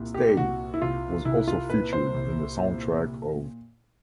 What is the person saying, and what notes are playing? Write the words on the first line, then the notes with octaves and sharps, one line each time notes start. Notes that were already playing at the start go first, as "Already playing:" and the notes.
"Stay" was also featured in the soundtrack of ".".
Already playing: C2 A#2
G4
C2 F#4
E4
C2 F4
C2 E4
F4
A#2 B4
C5
C2
A#2